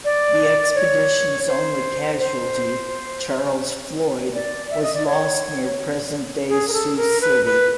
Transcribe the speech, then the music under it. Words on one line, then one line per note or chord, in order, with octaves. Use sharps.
The expedition's only casualty, Charles Floyd, was lost near present-day Sioux City.
D5
C#5
C5
C5
D5
E5
D#5
D5
C#5
G#4
A#4
A4
A#4
B4
B4